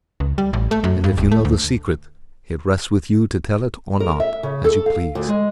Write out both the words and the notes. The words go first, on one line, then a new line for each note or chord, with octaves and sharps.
And if you know the secret, it rests with you to tell it or not, as you please.
C#2
G3
A1
A3
F#2
G2
D1
A3
D2
A#4
E5
C#3
A4
F5
D2
G#3